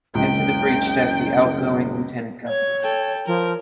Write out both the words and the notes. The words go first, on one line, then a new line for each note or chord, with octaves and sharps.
Into the breach stepped the outgoing lieutenant governor.
F#1 C#2 C#4 G5
C#5 G#6
A4 G5
F3 A#4